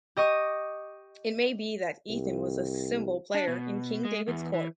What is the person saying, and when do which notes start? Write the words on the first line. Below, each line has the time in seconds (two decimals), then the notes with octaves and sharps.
It may be that Ethan was a cymbal-player in King David's court.
0.17 G4 D#5 C#6 D#6
2.09 C2
3.34 D4
3.48 B2
4.05 G#3
4.28 E2
4.54 E3